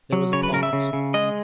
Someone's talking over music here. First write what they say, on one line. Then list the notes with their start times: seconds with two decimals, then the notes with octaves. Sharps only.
There was a pause.
0.13 F#3
0.33 C#3 C#5
0.43 B4
0.53 C#3 A#4
0.63 E5
0.73 C#3
0.93 C#3
1.14 G#3 D#5